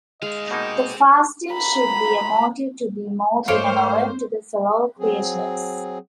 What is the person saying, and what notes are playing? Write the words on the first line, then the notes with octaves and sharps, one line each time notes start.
The fasting should be a motive to be more benevolent to the fellow-creatures.
G#3 D#4 D#5 F5
B2 A#3 C4 D#4 G4
A#5 B5
G#2 A3 A#3 C5 C#5 F5 D7
F#3 C4 G#4